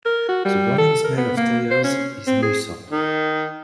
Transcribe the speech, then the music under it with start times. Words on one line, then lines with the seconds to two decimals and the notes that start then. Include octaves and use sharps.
The burning smell of tires is noisome.
0.05 A#4
0.29 F#4
0.45 G3
0.78 A4
1.04 A#4
1.17 B3
1.37 A#3
1.71 C5
1.84 C#4
2.27 C4
2.43 G#4
2.90 D#3